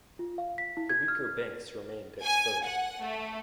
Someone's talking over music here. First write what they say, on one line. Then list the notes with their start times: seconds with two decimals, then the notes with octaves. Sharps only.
The weaker banks remained exposed.
0.19 F4
0.38 F5
0.58 B6
0.77 E4
0.89 G#6
1.08 F6
2.23 G#5
2.65 F#5
3.03 A3